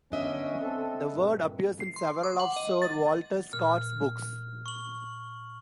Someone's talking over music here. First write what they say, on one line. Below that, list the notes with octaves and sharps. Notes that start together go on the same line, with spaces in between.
The word appears in several of Sir Walter Scott's books.
D3 B3 C#4 D4 D#5 E5
C4 A4
G2 A#2
C7
C6
D6
F#5
D#5
A6
A#2 F6
C#6 F#7